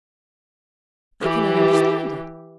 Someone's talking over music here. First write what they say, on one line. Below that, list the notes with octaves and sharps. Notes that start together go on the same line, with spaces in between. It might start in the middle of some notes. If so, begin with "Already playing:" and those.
I cannot understand it.
E3 G4